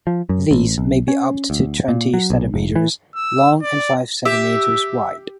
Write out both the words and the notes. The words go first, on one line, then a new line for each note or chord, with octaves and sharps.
These may be up to twenty centimetres long and five centimetres wide.
F3
F#2
A1
B1
C#4
D2
A#2
F#3
B1
F1
E3
E6
D5
G4 E5